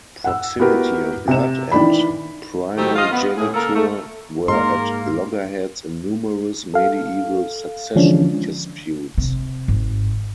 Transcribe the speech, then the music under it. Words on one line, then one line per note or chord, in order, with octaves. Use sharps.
Proximity of blood and primogeniture were at loggerheads in numerous medieval succession disputes.
F#5 E6
B3 E4 F#4 G4 A#4 B4
C3 E7
D#3 E3 D5 B5
D#3 F#3 A3 C4 D#4 G4
F4 D#5 F5
B3
A2 G#4
C#3 A#3 A4 A#4
A3
G#2 G#3 A#3 A#4 C6
A4 F5
D3 E3 F3 G#3 C#4 D4
C3
G#1